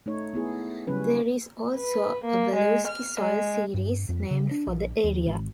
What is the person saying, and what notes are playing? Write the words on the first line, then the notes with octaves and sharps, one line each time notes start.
There is also a Walluski soil series named for the area.
A3 D#4 C#5
B3 E4 G#4
C#3 F#3 G3 C#4 B4
B4
A#3
G#3
F6
G#3
G2
F2
C#3
D4
A#1
D#2
G#1